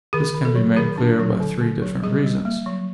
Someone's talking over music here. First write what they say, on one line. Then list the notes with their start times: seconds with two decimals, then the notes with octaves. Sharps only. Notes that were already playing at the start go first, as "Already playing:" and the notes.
This can be made clear by three different reasons.
0.13 D#3 G#4
0.35 D#3
0.45 A4
0.56 F#3
0.76 D#3 G#4
0.98 D4
1.19 F#3
1.40 D3
1.61 D3
1.82 F#3
2.03 G3 G#4
2.24 G3
2.45 A#3
2.66 F#3